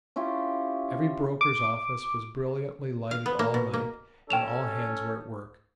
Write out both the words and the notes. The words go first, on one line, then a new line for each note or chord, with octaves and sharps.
Every broker's office was brilliantly lighted all night, and all hands were at work.
C#4 E4 F4 G4
D6
F5
B3
A#3
B2
A#3
C#4 A4 G5 E7 F7